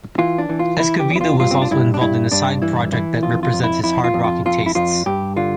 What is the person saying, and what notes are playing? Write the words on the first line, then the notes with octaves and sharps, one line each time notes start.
Escovedo was also involved in a side project that represents his hard-rocking tastes.
E3 F4
D4
E3
F4
E3 E4
G4
E2
E4
F4
G2 F4
C4
D4
G2 E4
D4
G2 E4
G2 D4
E3 E4
E3 E4
F2 F4
F4
F2
E4
F2 E4
F4
F2
F4
F2 F4
E4
F2 F4
G2 G4
D3 F4